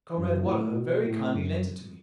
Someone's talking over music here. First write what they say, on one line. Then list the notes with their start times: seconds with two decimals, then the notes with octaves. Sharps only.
'Comrade Waller very kindly lent it to me.
0.17 F#2
0.45 A2
0.75 B2
1.05 A2
1.34 F#2